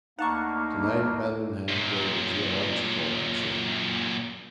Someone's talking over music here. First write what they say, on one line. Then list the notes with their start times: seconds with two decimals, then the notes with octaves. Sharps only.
To-night Debenham gave a geological lecture.
0.19 D2 A#3 D#4 F5 F#5 A5 A#5 C#6
1.69 F#2 A#2